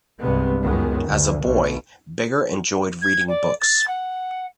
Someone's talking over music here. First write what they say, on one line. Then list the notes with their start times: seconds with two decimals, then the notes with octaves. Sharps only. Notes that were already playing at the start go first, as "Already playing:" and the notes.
As a boy, Bigger enjoyed reading books.
0.20 C2 G2 C3 G#3 B3
0.61 C#2 F#2 D#3 G#3 B3
1.07 D2 D3
1.42 B1 B2
3.01 G#6
3.27 D5
3.60 A6
3.87 F#5